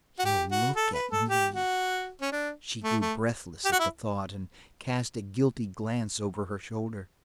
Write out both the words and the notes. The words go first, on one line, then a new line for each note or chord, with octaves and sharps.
"He'll look at me." She grew breathless at the thought, and cast a guilty glance over her shoulder.
F#4
G4
F#4
A4
B4
A4
G4
F#4
C#4
D4
A3
A3
G4
F#4
E4